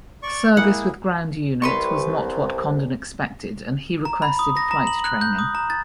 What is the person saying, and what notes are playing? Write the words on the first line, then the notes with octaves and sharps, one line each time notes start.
Service with ground unit was not what Condon expected and he requested flight training.
D5 C#6
A#3 E4 G#4 F#5
C2 B4 C6 C#6
A#5
B5
D#6
A#6
A#5
F#7
F#6
G6
D#6
A#5
A6